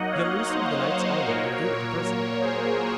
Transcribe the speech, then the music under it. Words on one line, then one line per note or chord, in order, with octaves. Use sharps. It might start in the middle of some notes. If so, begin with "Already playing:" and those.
He unloosed the knight's armour and gave it to Perceval.
Already playing: F#3 A#3 D#4 D#5 F#5
C#5 F5
C5 D#5
A#2 F#3 A#3 A#4 C#5
A#4 C#5
A#4
G#4 C5